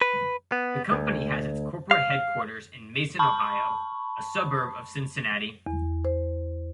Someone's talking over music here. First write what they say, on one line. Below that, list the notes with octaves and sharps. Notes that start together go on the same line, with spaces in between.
The company has its corporate headquarters in Mason, Ohio, a suburb of Cincinnati.
B4
B3
D2
F5
A5 B5 C#6
E2
C5